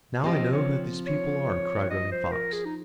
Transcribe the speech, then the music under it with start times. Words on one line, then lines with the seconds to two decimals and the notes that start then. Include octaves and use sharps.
"Now I know who these people are," cried Running Fox.
0.24 F3 C4 G4 D#5
0.53 C#5
1.07 C#5
1.90 D#5
2.12 C5
2.31 A#4
2.53 G#4
2.65 D#4